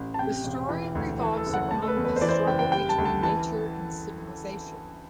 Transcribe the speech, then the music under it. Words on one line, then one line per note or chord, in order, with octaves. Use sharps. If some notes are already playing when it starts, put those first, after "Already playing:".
The story revolves around the struggle between nature and civilization.
Already playing: A1
A5
C3 G5
E1
E3
D2
E3
A4
F#1
F#5
A3 A5
A4
B4
E2
B4
C5
E3 D5
C5
D5
F#1 G5
G5
G3 G5
A5
D2
A5
E3 A5